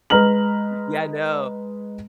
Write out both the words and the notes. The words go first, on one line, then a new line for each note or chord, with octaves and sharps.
Yeah, no.
G#3 B4 A#5 F6 F#7